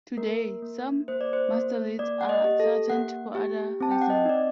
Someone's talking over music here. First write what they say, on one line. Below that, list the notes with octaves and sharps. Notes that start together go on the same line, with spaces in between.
Today, some mustelids are threatened for other reasons.
A#3 A#4
A#3
A#3 C5
D5
C5
A#3
A#3 D5
F#5
D#5
G4
A4
A#3 F#5
G4
C4 A5
G5
F#5
D#5
D#4 D5